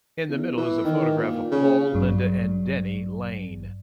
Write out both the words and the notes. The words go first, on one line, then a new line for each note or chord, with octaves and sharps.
In the middle is a photograph of Paul, Linda, and Denny Laine.
E2
E3
D#3
A#2
C#3
A1 G2 F#3